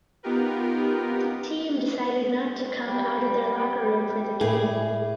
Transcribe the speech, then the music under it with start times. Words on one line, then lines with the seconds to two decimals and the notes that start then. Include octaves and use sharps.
The team decided not to come out of their locker room for the game.
0.23 B3 D#4 F4 G4 A#4 B4
2.86 G3
4.41 A2 G#4